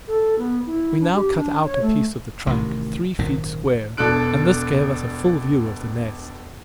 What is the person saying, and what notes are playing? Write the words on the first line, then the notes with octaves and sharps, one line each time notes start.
We now cut out a piece of the trunk, three feet square, and this gave us a full view of the nest.
A4
B3
E4
D4
G4
D4
C#5
A3
A1 C3 D#3
G#1 F#2 A#2 D#3
E1 B2 D4 A4 F#6 D7